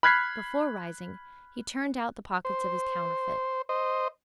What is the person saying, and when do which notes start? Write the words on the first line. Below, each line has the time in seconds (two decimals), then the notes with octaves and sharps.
Before rising he turned out the pockets of his counterfeit.
0.03 B5 F6 F#6 G#6 B6 C7
2.45 C5
3.69 C5 D#5